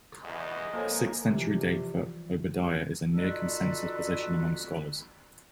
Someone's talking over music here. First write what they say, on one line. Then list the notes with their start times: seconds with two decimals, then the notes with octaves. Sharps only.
A sixth-century date for Obadiah is a "near consensus" position among scholars.
0.24 E2 D#5
0.73 F3 A#3 A4 A#4 C#5 G#5
1.29 C3 E3 F3 G3
3.15 D#4 F4 F#4 A4 B4 D5